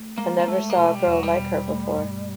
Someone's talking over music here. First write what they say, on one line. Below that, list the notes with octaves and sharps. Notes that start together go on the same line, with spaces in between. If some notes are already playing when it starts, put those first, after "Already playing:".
I never saw a girl like her before.
Already playing: A3
G#3 A#3
A#3
G#3 A3
A#3
B2 A3
G3
E2 F#3
G3
B2
A3
G2